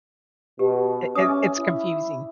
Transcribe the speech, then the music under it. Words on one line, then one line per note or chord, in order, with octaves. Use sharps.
it it it's confusing.
B2 G4
C#4 E5 D6 D#6
E4